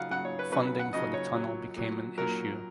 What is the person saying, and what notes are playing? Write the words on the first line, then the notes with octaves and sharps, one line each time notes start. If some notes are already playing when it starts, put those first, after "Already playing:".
Funding for the tunnel became an issue.
Already playing: C#3 F#3 F5 F#5
C#3 F#3 F#5
C#5
B4
C#3 F#3 B4
B4
F#5
C#3 F#3 D#5
C#5
A#2 F#3
A#2 F#3
A#2 F#3 A#4